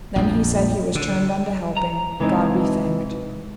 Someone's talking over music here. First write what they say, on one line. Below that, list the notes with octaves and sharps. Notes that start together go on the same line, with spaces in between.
Then he said he was turned unto helping, God be thanked.
A#1 F2
D3
A#5
C3 E3 G#3 C4 D#4